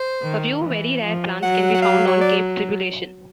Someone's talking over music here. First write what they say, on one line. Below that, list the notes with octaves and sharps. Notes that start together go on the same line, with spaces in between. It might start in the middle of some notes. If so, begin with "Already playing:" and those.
A few very rare plants can be found on Cape Tribulation.
Already playing: C5
D#3
E3
F3
F#3 F#5
F#5
F5
C#5
D5